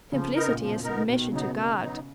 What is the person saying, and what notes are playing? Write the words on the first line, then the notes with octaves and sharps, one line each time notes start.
Simplicity is submission to God.
C#3 F3
B3 D#4 A#4
A#2
B2 F3
B3 D#4 A#4
B2 D#3
B2
C#3 F#3 B3 D#4
B2
D#3
F#3 B3 D#4